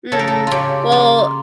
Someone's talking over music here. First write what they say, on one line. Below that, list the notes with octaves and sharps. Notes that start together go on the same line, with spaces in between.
Mm, well,
C#3 A4
A#4
A4
C#3 F4 G4
A#3 F4